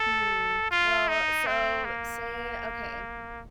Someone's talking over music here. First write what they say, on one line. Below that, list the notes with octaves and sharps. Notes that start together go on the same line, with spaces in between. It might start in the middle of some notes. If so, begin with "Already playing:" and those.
Hmm. well, so say okay,
Already playing: A4
F4
D#4
C4
A#3